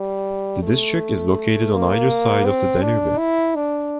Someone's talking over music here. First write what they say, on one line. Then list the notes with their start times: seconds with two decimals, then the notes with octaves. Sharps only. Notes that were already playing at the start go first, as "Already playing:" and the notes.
The district is located on either side of the Danube.
Already playing: G3
0.63 A3
1.73 A#3
2.46 C4
2.82 D4
3.18 E4
3.56 D4